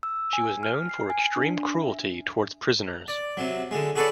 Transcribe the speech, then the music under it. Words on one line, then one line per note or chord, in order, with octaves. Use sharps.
She was known for extreme cruelty towards prisoners.
E6
G#5
F6
C7
G#5
D4
E5
D5
C3 F#3
D3 G#3
F#4 G#4 A4 B4 C#5 D5